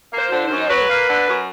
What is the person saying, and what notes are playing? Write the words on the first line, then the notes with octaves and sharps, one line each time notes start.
Doing great.
A#3
C5
D3
C5
F#2
F#3 B4
A#3
D3
F#2